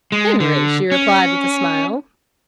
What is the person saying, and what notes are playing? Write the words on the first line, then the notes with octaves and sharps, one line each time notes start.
"Henry!" she replied with a smile.
G#3
D3
C#4